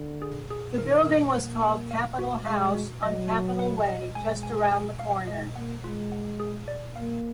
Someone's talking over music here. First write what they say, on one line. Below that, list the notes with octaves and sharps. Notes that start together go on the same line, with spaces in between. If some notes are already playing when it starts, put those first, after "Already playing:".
The building was called Capitol House on Capitol Way, just around the corner.
Already playing: D3
G#4
G#4
D#3 A#4
A#4
A#3 F#5
F#5
F5
F#4
G#3 F5
F#4
F#3 D#5
F#4
F#5
D#5
G#3 G#5
G#5
G#5
F5
G#3 D#5
A#3 F#5
G#3 F4
F#5
G#4
D5
A#3 F5